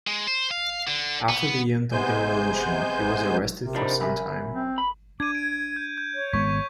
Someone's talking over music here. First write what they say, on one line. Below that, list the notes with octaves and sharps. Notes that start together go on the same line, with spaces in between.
After the end of the Revolution, he was arrested for some time.
G#3
C5
F5
D3
B3
C3 G#3 B3 C5 G#5 G6
C3 F#4 A#4 F5
A#1 A#2 F3 D4 D#4 C5 B5
F#2 E5 G#5 B5
C4
A3 B5 D#6
D4 D6 G#6 D#7
G#6 D7
G6
G6
C#5
G#1 G#3 B3 C#6 B6